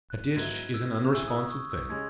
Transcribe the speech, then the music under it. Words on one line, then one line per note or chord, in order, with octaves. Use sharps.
A dish is an unresponsive thing.
F#6
G#2 F#3 B3 E4 G#6
E6
A2 E3 A3 E6
D#6
E6
C#6
E6
C#3 G#3 C#4 G#6